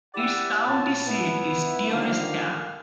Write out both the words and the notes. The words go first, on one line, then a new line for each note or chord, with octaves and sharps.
Its county seat is Tionesta.
E4 G4 D5 E5 F#5
A#2 C#4 A5
B3 E4
D3 D#3 F3 A#3 G4 F5